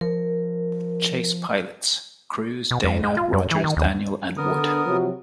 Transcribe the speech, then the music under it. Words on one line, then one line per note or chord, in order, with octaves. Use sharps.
Chase pilots: Crews, Dana, Rogers, Daniel and Wood.
F3 A#4
B2
F2
G#3
F4
F#2
E3
D#3
D#2
D3 B3 A#4 D#6
C3 F3 F#3